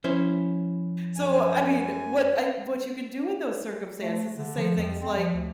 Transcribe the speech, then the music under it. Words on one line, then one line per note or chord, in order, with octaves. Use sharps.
so, I mean, what I what you can do in those circumstances is say things like,
F3 C#4 E4 C5
F#2 G#5
A3
D3
F3
F2
C4
F3
D2